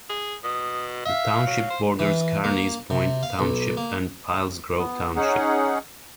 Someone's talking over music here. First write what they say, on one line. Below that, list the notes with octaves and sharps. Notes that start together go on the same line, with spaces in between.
The township borders Carneys Point Township and Pilesgrove Township.
G#4
B2 D#6
E5 F5
F#3
C5
E3
A#3
C3
F5
B1
A#3
B3
C#4 D#4 G#4 F#5